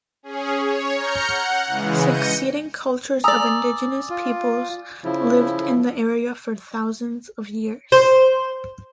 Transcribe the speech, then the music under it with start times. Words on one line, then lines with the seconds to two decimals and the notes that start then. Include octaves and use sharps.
Succeeding cultures of indigenous peoples lived in the area for thousands of years.
0.23 C#4 G#4
0.57 C#5
0.95 A#5 F6 G6 C#7
1.27 F#5
1.67 C#3 E3 G#3
2.04 G6 A#6 C#7 D#7
3.24 D5 G#5 A#5 D#6 E6
4.10 F4
5.04 C#3 F3 E4
7.92 C5